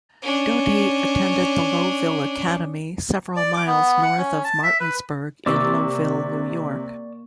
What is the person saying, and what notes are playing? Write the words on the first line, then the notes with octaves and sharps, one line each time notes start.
Doty attended the Lowville Academy several miles north of Martinsburg in Lowville, New York.
C#4 D4
D5
D6
B3
F#5
C#4
A5
E5
B4
C3 A#3 D5 C#6 D6 E6